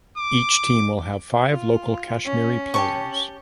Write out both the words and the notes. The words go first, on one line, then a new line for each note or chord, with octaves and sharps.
Each team will have five local Kashmiri players.
D6
F4
C#4
G4 A5 C#6